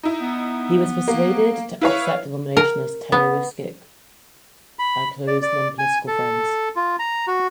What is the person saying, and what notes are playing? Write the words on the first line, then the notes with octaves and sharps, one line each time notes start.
He was persuaded to accept the nomination as Taoiseach by close non-political friends.
D#4 E4
B3
A#3
E4 B4 C#5 F5
A#4
B3
B5
D5
D5
G#5
A4
F4
A#5
F#4